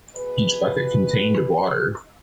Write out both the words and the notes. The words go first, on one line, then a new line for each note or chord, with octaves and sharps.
Each bucket contained of water.
B2 G#4 B4